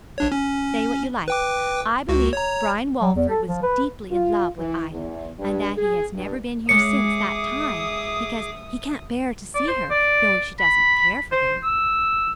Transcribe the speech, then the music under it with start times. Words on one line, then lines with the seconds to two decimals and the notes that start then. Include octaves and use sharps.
'Say what you like, I believe Brian Walford was deeply in love with Ida, and that he has never been here since that time, because he can't bear to see her, knowing she doesn't care for him.'
0.18 A#1 D4 C#5
0.32 C#4
1.28 B4 G5 D6
2.09 C#2 F#4
2.33 C#5 A#5
3.02 F#3
3.16 E2
3.29 A4
3.47 F3
3.63 B4
4.11 F4
4.57 E3
4.91 E2
5.39 G2
5.76 G#4
6.14 G2
6.69 G#3 G#4 C#5 E5 D6 D#6 C#7
9.55 D5
9.68 C5
9.91 D5
10.60 B5
11.32 C5
11.64 E6